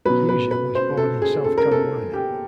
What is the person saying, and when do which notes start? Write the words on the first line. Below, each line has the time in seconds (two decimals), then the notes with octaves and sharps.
Huger was born in South Carolina.
0.05 B2 F#3 B4
0.29 B4
0.51 B4
0.75 C5
0.97 A4
1.22 G#4
1.44 A4
1.58 A#4
1.71 A4
2.14 G4